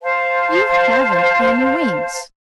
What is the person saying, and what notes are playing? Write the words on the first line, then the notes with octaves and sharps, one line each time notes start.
"You haven't any wings."
C5 F5 A5